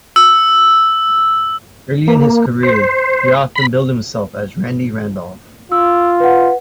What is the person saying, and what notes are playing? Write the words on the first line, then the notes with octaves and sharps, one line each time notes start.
Early in his career, he often billed himself as Randy Randolph.
E6
A#3
C5
B5
F4 E6
B4 F#5